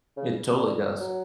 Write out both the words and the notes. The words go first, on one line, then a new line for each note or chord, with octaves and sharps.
It totally does.
C#3
D3
F#3